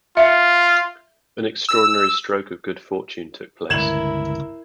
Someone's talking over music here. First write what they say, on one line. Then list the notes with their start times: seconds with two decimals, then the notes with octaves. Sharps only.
An extraordinary stroke of good fortune took place.
0.17 F4 E5
1.69 E6
3.70 G1 C#2 E4 A#4 G#6 E7 F#7